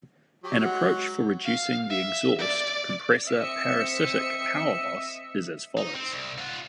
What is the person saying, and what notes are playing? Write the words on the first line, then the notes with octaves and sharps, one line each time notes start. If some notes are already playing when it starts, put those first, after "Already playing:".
An approach for reducing the exhaust compressor parasitic power loss is as follows.
F#3 G4
G#3 F#5
F5
E5
D5
C4 D#5 E5 C#7
D#4
C4
C2
F4 F#5